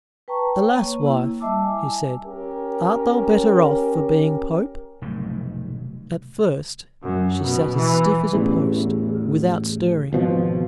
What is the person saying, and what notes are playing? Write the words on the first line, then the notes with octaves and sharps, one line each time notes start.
"Alas, wife," he said, "art thou better off for being pope?" At first she sat as stiff as a post, without stirring.
B4 G5 A5 A#5 C#6
C#5
A#3
E4
G3 D#5 E5 A5 D6 E6
G#5
C#4 G4 A#4
F1 B1 G#2 D#3
F#2
B2
E3
A1 E2
G#1 B2 F3